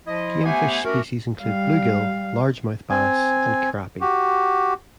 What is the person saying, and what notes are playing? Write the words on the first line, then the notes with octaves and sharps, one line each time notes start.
Game fish species include bluegill, largemouth bass, and crappie.
F3 E4 D#5
A3 B3 G4 C5 F#5 G#5
A3 C#4 F#4 G4 A#4
G3 F5
C4 G#5
F#4 G4